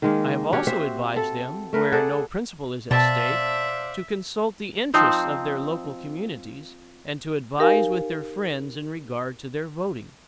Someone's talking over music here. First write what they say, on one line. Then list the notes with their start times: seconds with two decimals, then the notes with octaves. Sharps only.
I have also advised them, where no principle is at stake, to consult the interests of their local communities, and to advise with their friends in regard to their voting.
0.02 D#3 G#3 A#3
0.53 C#4 F#4 G4 C#5
0.67 C4 C5 E5
1.16 A4
1.73 A3 A#4 B4
1.92 G#4 A4 D5 F#5
2.91 B2 C5 D5 E5 F5 A5
4.94 F3 C4 D#4 C5
7.58 D#4 G4 A#4 F5 G#5